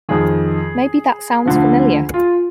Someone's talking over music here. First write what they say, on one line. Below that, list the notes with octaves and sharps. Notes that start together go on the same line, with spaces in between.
Maybe that sounds familiar.
F2 D#3 G#4
D2 D3 F3
F4